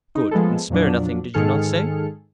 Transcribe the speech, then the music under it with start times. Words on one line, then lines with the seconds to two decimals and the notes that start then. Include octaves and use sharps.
"Good! and spare nothing, did you not say?"
0.15 D#4
0.31 F3 G#3 A3 B3 G#4 A4
0.70 F2 A#2 F3 F#3 D4
1.34 G#2 D#3 G#4 A4 F6 C#7